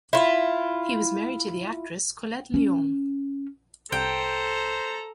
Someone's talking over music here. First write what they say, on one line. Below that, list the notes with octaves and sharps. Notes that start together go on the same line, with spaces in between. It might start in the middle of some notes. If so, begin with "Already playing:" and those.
He was married to the actress Collette Lyons.
E4 F4
C#4
C2 A4 C5 G5 A#5